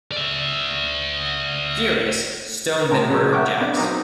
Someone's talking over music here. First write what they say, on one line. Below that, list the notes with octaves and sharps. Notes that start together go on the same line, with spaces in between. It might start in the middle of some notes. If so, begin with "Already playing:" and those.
Furious, Stone then murdered Jax.
D5 E5
A2 C#3 C#4 A#4 C6
C#3 F#3 G#3 C#4
E5 F#5 G5 C#6 D6 F6
B3 D4
F#3 C4 D#4 A#4 D6